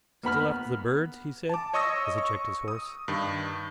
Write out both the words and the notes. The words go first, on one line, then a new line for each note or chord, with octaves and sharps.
"Still after the birds?" he said, as he checked his horse.
A#3 B3 B5 F6
A5 D6
C#5 D#5 C#6 D#6 E6 A#6
C#6
D#6
G2 D#3